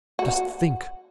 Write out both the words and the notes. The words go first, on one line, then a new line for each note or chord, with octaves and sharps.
Just think!
F#4